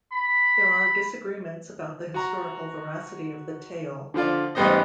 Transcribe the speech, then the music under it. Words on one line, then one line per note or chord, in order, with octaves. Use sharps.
There are disagreements about the historical veracity of the tale.
B5
F#4 A#5
D3 F3 F4 D5
A1 G#2 G3 B3 C5 D#5